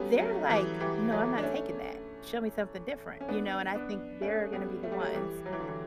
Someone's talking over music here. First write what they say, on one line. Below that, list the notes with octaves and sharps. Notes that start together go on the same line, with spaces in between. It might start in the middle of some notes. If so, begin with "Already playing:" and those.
they're like, "No, I'm not taking that. Show me something different," you know? And I think they're gonna be the ones
Already playing: F#3 G3 A3 B3 C#4
F#3 A3
E3 G3
E3 G3
F#3 A3
D4
A3 C#4
C#4
B3 D4
B3 D4
A3 C#4
G3 B3
A3
G3
F#3 A3
A3
E3 G3
F#3
E3
D3
E3